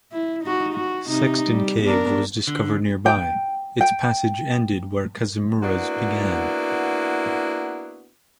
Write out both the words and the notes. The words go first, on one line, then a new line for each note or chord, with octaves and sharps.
Sexton Cave was discovered nearby; its passage ended where Kazumura's began.
E4
D#4 F#4
F#4
C3 D#4
G3
B3 D4 A#4
D3
G5
G5
A#3 B3 D4 E4 F#4